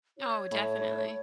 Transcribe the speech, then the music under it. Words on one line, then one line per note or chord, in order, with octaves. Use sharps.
Oh, definitely.
C#5
A2